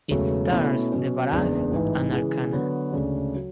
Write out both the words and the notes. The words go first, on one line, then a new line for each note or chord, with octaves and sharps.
It stars Devaraj and Archana.
E1 E2 C#3 F#3 A3
B2 A3 C#4 E4
B2 F#3 C#4
F#1 E2 C#3 G#3 D4
A1 G#2 E3
C#3 E3 G#3
D3 F#3 B3 F#4
D2 C#3 G#3 D4
F#3